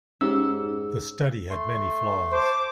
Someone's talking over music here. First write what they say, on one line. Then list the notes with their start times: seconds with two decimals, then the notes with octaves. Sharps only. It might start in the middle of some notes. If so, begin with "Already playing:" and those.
The study had many flaws.
0.21 G#2 C#4 G4 E6
1.50 A3 C6
2.32 C5 A5 D6